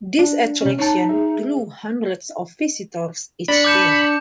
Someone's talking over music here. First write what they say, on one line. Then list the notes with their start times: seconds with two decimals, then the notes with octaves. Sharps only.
This attraction drew hundreds of visitors each day.
0.19 D4
0.61 C3 C#4
0.79 D#4 C#5 A5
1.09 G#4 E5
3.48 D4 B5 C#7
3.64 D6 G6 E7